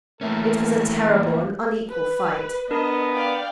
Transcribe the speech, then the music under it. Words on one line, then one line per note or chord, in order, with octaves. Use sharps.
It was a terrible and unequal fight.
E3 A3 A#3 C#4 A#4
B4
B3 D4 A#4 D#5
D5 F5 G5